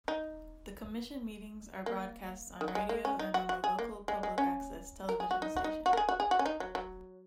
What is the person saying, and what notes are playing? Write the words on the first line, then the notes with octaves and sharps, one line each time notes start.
The Commission meetings are broadcast on radio and on the local public-access television station.
D#4
A#3
D#3
F#3
G#3
A#3
C#4
D#4
F#4
F#4
G#4
A#3
G#3
G#3
C#4
A#4
G#4
F#4
D#4
F#4
D#4
F#4
A#4
G#4
F#4
G#4
F#4
C#4
D#4
F#3
F#3